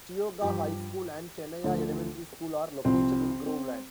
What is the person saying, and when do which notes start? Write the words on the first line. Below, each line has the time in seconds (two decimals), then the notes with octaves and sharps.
Tioga High School and Tenaya Elementary School are located in Groveland.
0.42 G2 F3 G4
1.64 D2 D3 F3
2.85 C2 C3 F3 C4
3.46 C4